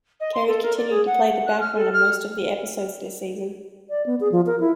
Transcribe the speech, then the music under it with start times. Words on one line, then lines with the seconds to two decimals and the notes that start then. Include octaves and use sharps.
Kerry continued to play the background in most of the episodes this season.
0.20 D#5
0.34 C6
0.47 A4
0.62 A#4
0.76 D5
0.90 G#4
1.06 F#5
1.28 F#5
1.46 F#6
1.60 F6
1.75 A4
1.92 F6
3.90 D5
4.06 B3
4.21 G#4
4.32 F3
4.47 A#4
4.60 E4